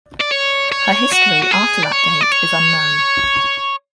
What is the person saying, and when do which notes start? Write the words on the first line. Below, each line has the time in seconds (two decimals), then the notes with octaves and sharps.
Her history after that date is unknown.
0.21 D5
0.32 C#5
0.72 C#5
1.12 F#4
1.42 F#4
1.51 G#4
1.84 D5
1.92 C#5
2.21 D5
2.32 C#5